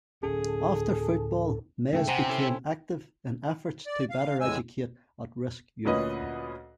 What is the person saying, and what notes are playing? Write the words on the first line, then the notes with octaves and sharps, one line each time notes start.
After football, Mayes became active in efforts to better educate at-risk youth.
D1 C#4 G#4 A4
G#2 C#3 A3 G5
C3 C5 F#5 G#5 A#5
C#4 E4 A4
D5
F5
E2 A2 G#3 G#5 E6
D2 A#2 C#4 B4 D#5 D#6